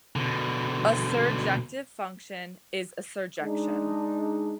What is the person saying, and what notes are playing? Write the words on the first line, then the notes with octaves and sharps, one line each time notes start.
A surjective function is a surjection.
B2 D3
G#3 D4 D#4